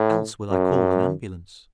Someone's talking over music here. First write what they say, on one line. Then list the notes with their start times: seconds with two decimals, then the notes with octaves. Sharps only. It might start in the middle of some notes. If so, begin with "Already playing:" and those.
"Else will I call an ambulance."
Already playing: A2
0.51 F#2